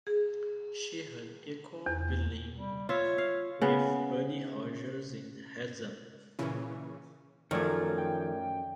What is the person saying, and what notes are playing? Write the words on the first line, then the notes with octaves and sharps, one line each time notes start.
She had equal billing with Buddy Rogers in Heads Up!
G#4
E2
G3
F4 C#5 E5
F5
C#3 B3
A#2 C#3 E3 C#4
F#2 D#3 F3 A3 A#4 D5 G#6
G5